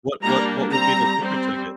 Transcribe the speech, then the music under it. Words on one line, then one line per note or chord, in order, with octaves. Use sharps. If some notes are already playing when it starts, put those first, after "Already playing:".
What what what would be the difference, I gue
G3 A#3 D4 A#5
G3 C4 A#5
G3 C4